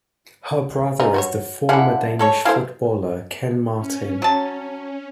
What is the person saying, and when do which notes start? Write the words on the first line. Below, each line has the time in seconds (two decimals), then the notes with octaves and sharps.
Her brother is the former Danish footballer Ken Martin.
1.00 C#3 D#4 A#4
1.14 F#4 C5 C#5
1.69 D3 C#4 E4 F5 F#5
2.19 G#3 A4 C#5
2.45 F#3 A3 E4 G#4 C5 F5
3.79 C#4
4.22 F#3 A5